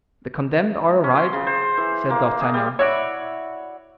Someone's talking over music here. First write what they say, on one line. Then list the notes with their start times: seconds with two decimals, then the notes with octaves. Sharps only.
"The condemned are arrived," said D'Artagnan.
1.04 C#4
1.16 C6
1.33 C#3
1.47 C5
1.77 E3
2.10 A#3
2.41 G#4
2.54 G3
2.79 E4 F#4 C#5 D5